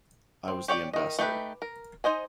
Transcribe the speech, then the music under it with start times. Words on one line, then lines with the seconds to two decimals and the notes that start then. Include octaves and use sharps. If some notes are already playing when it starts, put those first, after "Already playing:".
I was the ambassador.
0.48 C4
0.68 G4 C#5 D5 G5
0.93 D#3 D#5
1.19 A3 D#4 G4 B4
1.62 A#4
2.04 D#4 C5 D#5 G#5